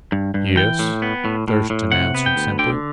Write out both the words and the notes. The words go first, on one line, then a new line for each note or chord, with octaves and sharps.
"Yes," Thurston answered simply.
G2
G2
E3 G5
A2
B3
A2
A2
A2
C3 F#5
B3
G5
D2
D3 G5